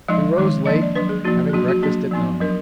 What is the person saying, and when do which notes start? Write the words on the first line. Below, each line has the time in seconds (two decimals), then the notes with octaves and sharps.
We rose late, having breakfast at nine.
0.08 F3 G#3 D#4 D#5
0.37 D#3 G#3 D#4
0.66 F3 A#3 D4 D#5
0.81 D5
0.95 F#3 D4 B4
1.09 G#4
1.25 F3 A#3 D#4 F#4
1.49 G#4
1.53 F#3 A#3 D4 F#4
1.68 F#4
1.83 F#3 A#3 D4 G#4
2.11 F3 B3 D#4
2.40 F#3 D4 A#4